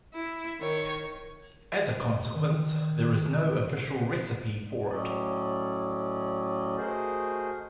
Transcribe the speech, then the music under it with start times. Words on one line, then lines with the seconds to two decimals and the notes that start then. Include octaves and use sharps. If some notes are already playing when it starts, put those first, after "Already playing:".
As a consequence, there is no "official" recipe for it.
0.14 E4
0.61 D#3 C#5
2.36 D#3
4.89 A2 F#3 C#4 D5 D#5
6.77 A3 F#4 G#4 A#4 C5 D#5